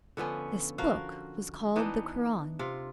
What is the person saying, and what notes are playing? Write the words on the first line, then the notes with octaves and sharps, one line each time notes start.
This book was called the Koran.
D3 F3 B3 C#4
F3 F#4 A#4 F5
E3 B3 D4 D#4
C3 F4